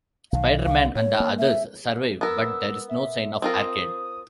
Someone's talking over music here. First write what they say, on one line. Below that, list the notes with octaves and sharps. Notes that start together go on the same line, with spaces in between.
Spider-Man and the others survive but there is no sign of Arcade.
B1 D#3 F5
C2 D#3 F5
A2 C#5
A#3
E5
B3 A#4 E6
E5
C4 F4 A#4 D#6